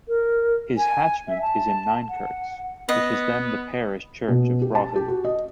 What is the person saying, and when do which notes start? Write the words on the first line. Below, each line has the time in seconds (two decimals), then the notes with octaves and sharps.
His hatchment is in Ninekirks, which was then the parish church of Brougham.
0.08 A#4
0.78 G#5
1.28 E5
1.42 A5
2.09 F#5
2.89 B3 D#5
4.28 B2
4.62 G4
4.75 A5
4.96 G4
5.08 F#4
5.25 D#5